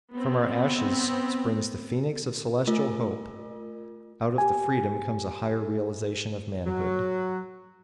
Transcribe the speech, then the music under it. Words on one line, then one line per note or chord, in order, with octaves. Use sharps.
From our ashes springs the phoenix of celestial hope, out of the freedom comes a higher realisation of manhood.
B3 C4
A3 F4 A#4
G4 G#5
F#3